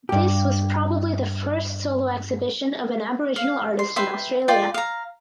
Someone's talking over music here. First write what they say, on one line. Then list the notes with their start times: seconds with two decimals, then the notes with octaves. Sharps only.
This was probably the first solo exhibition of an Aboriginal artist in Australia.
0.09 G2 G4
3.36 F5
3.79 C6
3.96 B4 E5 G5 C6
4.48 F4 D5 D#5 G5
4.74 F5 A#5